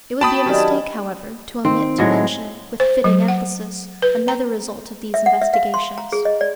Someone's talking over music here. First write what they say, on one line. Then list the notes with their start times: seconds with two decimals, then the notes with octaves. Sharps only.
It would be a mistake, however, to omit to mention, with fitting emphasis, another result of these investigations.
0.21 F#4 G5 A5 B5 D#6
0.46 D#3 F#3 C#4 G4 D5
1.65 D#3 C4
1.98 A2 F#3 G#3
2.80 C5
3.04 F#3
3.28 F#5
4.02 B4
4.28 A#5
5.14 E5
5.26 F#5
5.42 E5
5.54 F5
5.74 C6
5.98 A#5
6.12 G#4
6.25 D#5
6.41 D5